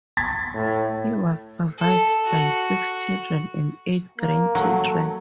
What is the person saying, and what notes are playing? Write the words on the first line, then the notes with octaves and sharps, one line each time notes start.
He was survived by six children and eight grandchildren.
G#6 A6 B6
A2
A4
F#4
A#3
F#3 A3